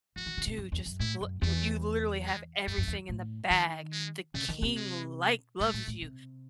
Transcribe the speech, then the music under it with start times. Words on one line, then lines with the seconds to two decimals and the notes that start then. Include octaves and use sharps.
"Dude, just lo you you've literally have everything in the bag, the king, like loves you,
0.16 E3 F#4
0.26 D#3
0.37 C#3
0.47 C3
0.58 F#2
0.72 E2
0.86 F#2
1.00 A2 E4
1.21 F#2
1.42 E2 A3
2.25 G#3
2.67 F#2 A3
2.78 F#2
2.88 E2
3.09 A2
3.50 D#3 A3
3.93 G#3
4.34 C#3 A3
4.48 D#3
4.62 C3
4.76 G#3
5.60 G#2 A3
5.74 A2
5.88 A2
6.02 C3